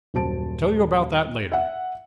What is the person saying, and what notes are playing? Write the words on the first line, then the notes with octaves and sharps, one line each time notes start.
"Tell you about that later."
D#1 F#2 F#4 C5 A5 D7
E5 F#5